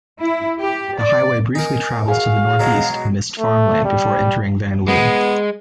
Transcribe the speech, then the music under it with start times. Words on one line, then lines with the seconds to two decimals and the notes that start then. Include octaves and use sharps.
The highway briefly travels to the northeast amidst farmland before entering Vanlue.
0.20 E4
0.61 G4
0.99 D5
1.55 D#4 A#4 G#5
2.08 F#4 G#4 F5
2.60 B2 F#3 G#3 A#5
3.39 A3
3.84 G3
4.88 G#3 B3